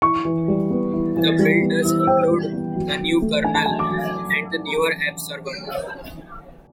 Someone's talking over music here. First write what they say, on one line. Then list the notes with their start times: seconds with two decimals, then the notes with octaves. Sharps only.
The build does include the new kernel and the newer AppServer.
0.02 E4 C#6
0.25 E3
0.48 G3
0.70 B3
0.93 E4
1.16 E3
1.39 G3
1.62 B3
1.85 E4
2.07 E3 G5
2.31 G3
2.53 B3
2.76 F#3
2.99 F#3
3.22 A3
3.44 D4 G#5
3.55 A5
3.66 F#3 G#5
3.79 D6
3.90 F#3